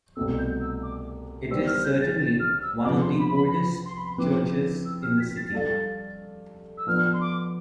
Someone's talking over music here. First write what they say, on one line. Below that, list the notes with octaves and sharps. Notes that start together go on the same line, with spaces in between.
It is certainly one of the oldest churches in the city.
C2 B2 A3 C4 E6
G6
E6
D6
G3 B3 D4 G4 C5 E6
F6
G6
A6
A6
F6
E6
C3 F3 B3 D6
C6
B5
B5
B5
C6
B5
C6
F3 C4 E4 B4 D6
E6
F6
B6
A6
G3 D4 A4 D5 F5
E6
F3 B3 D4 F6
C6
D6